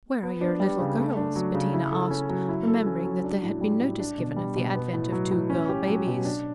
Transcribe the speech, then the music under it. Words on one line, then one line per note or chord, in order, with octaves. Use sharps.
"Where are your little girls?" Bettina asked, remembering that there had been notice given of the advent of two girl babies.
B3
D4
G3
C#3
A3
D4
F#3
C#3
E4
A4
C#4
F#3
E4
A4
C#4
F#3
D4
A2
G3
A2
D4
B2
G3
B2
B3
A2
F#3
A2
C#4
G4
F#3
B2
D4